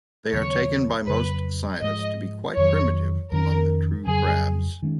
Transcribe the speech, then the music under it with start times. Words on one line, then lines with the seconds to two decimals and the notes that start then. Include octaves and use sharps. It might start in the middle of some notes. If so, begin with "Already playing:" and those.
They are taken by most scientists to be quite primitive among the true crabs.
0.32 D#2 C#3 F#3 B3 C#5
1.06 F2 C#3 F#3 B4
1.82 G#2 F3 G#3 D#5
2.57 F2 D#3 F#3 C#5
3.32 F2 D#3 A#3 C#4 A#4
4.07 F2 C#3 F#3 G#4
4.83 D#3 G#3 C#4